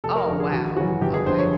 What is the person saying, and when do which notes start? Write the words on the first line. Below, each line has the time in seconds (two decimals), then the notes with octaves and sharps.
Oh, wow, okay.
0.04 F1 A4
0.16 A#4
0.27 F2 D3 A#4
0.40 G#4
0.53 G#1 F#4
0.76 E3 F#4
0.79 F#2 C#3
1.02 G1 G4
1.14 G#4
1.26 F2 D3 C5
1.39 C#5